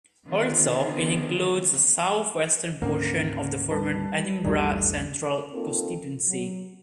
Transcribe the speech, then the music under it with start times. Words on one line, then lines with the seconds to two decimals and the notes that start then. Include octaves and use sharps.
Also, it includes a south western portion of the former Edinburgh Central constituency.
0.27 D3 D#3 B3 C4 F4 G#4
2.82 D2 G#2 D3 A#3 C#4 A#4 C5
3.71 G3 B4 A5
4.44 A#1 E2 G2 A3 D4 D#4 G4 G#4
5.53 A#3 C4 D#4 F4 A4 A#4
6.28 F#3